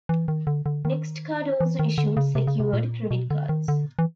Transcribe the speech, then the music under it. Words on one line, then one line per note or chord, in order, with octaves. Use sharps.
NextCard also issued secured credit cards.
E3
D#3
D3
D3
D#3
E3
D#3
D3
C#3
C3
C#3
C3
A#2
B2
D3
D#3
D3
E3